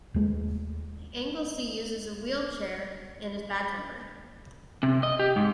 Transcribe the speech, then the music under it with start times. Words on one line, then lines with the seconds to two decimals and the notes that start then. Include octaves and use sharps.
Anglesey uses a wheelchair and is bad-tempered.
0.14 D#2 G#3 A3
4.83 C3
5.03 D#5
5.19 G4
5.36 G#2